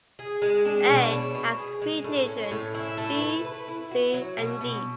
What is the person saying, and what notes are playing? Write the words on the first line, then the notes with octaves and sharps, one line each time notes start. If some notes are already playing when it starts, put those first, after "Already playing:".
"A" has three children, "B", "C", and "D".
G#4
G#3
D4
B2
C#4
B2
G#4
G#3
A2
C#4
A2
E4
A3
B4
B4
E4
F#4
F#3
B2
B2